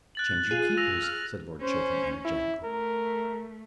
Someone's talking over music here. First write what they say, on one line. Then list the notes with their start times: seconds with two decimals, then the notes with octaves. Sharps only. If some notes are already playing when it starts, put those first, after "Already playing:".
"Change your keepers," said Lord Chiltern energetically.
0.15 F#6 A6 F#7
0.51 F4 G#4 D#7
0.77 E6 A#6 F7
1.02 F6
1.62 C#4 C5
2.25 E4
2.64 A3 A#4